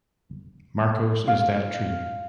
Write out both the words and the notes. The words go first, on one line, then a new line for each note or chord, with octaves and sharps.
Markos is that tree.
F5